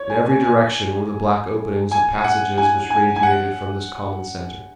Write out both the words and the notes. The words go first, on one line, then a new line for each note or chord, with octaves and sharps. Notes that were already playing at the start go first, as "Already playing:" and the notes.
In every direction were the black openings of passages which radiated from this common centre.
Already playing: C#5
G#5
G#5
G#5
G#5
F#5
G#5
G#5
G#5
F#5